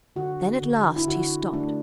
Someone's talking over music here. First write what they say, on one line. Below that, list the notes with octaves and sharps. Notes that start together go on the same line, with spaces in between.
Then at last he stopped.
D3 F#4
D3
E4
D3 F#4
A3 D4